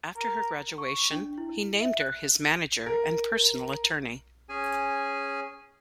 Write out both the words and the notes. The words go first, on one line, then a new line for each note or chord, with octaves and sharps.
After her graduation, he named her his manager and personal attorney.
A#4
C#6
D4
E4
E5
F#6
A#4
C#4 G#4 G#5